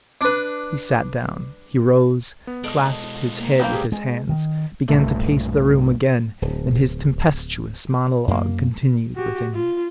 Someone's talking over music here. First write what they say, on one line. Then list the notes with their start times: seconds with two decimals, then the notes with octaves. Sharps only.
He sat down, he rose, clasped his head with his hands, began to pace the room again, and his tempestuous monologue continued within him.
0.21 D4 B4
2.47 B3
2.64 B2 G#3 A4 D#5 D7
3.40 A#3 A#4
3.60 A#3 C4 D4 B4 G5
3.73 G4 G#4 G#5
3.92 G#3
4.29 D#3
4.89 B1 G2 A#2 A3
6.42 D1
8.28 F#2 A#3
9.15 F#4 G4
9.54 F4